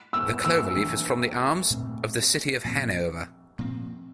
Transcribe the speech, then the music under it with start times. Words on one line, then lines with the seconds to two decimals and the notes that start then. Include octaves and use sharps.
The cloverleaf is from the arms of the City of Hanover.
0.13 E6
0.45 E6
0.76 E3 A#3 D4
1.70 A#2 A3 C4
2.64 A#2 F3 C4
3.59 A#2 F3 C4